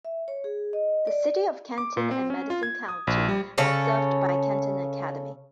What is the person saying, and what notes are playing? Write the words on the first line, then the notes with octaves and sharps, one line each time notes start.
The city of Canton and Madison County are served by Canton Academy.
E5
C#5
G#4
D#5
D5
D6
A#2
C4
C#4
F4
G#6
D#6
A#1
G3
C#3 A4 C#5